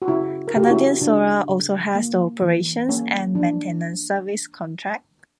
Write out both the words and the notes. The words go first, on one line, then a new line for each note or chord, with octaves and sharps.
Canadian Solar also has the operations and maintenance services contract.
F#4
C#3 C#4 E4
A#4
C#3 G4
F#4
C#4 E4
C#3 D4
C#3
A#3
E3
A#3 C#4
E3 D4